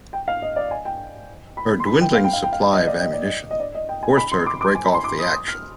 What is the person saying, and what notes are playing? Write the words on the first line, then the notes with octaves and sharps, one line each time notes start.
Her dwindling supply of ammunition forced her to break off the action.
G5
F5
D#5
D5
G#5
G5
B5
C6
B5
G5
F5
G5
F5
G5
F5
D#5
D5
D#5
D5
D#5
D#5
D5
D#5
G5
G#5
B5
C6
D6
D6
G#5
B5
C6
D6
D#6
D#6
F6